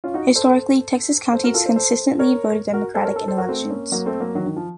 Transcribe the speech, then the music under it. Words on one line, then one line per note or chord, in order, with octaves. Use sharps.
Historically, Texas County consistently voted Democratic in elections.
C#4 F4
D#4 F#4
A4 C5
A4 C5
F#4 A#4
F4 A4
A4 C5
A4 C5
A#4 C#5
F#4 A#4
A4 C5
A#4 C#5
A4 C5
A4 C5
F#4 A#4
A3 C4
A#3 C#4
F#3 A#3
A3 C4
F#3 A#3
D#3 F#3
D#3
F3